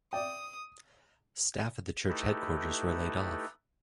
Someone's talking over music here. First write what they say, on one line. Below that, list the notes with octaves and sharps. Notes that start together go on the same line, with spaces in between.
Staff at the church headquarters were laid off.
D5 G5 D#6
A3 D#4 E4 G4 A4 B4